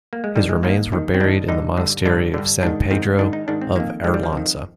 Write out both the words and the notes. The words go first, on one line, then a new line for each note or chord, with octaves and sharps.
His remains were buried in the monastery of San Pedro of Arlanza.
A#3
G#3
G2 D#3 G3
G#3
G2 D#3 A#3
G2 D#3
C4
G2 D#3 D4
G2 D3 D#4
G2 D3
G2 D3 D4
G2 D3
G#2 D#3 D4
G#2 D#3 C4
G#2 D#3 D4
D#4
G#2 D#3 D4
C4
F2 D#3 A#3
F2 D#3 G#3
G3
F3
F2 D#3